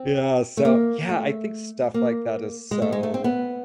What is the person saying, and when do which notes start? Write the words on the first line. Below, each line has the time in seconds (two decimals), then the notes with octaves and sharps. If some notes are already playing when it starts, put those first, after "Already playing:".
Yeah, so, yeah. I think stuff like that is so
Already playing: C4
0.57 A3
0.65 A#3
1.09 A3
1.94 A#3
2.71 G#3
2.82 A3
2.92 G#3
3.03 A3
3.14 C4
3.24 B3